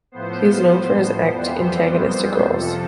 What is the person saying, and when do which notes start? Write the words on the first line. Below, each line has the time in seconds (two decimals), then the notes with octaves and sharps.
He is known for his antagonistic roles.
0.12 A2 F3 B3 C5
1.30 F2 E3 G3 B3 C5
2.47 F2 C3 F3 A4